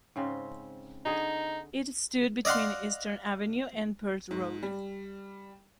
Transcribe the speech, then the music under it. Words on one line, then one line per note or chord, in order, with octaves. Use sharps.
It stood between Eastern Avenue and Perth Road.
G#2 C#3 C4
D3 D#4 G#4 D#5
D5 D#5 F5 F#5 C6
G#2
G3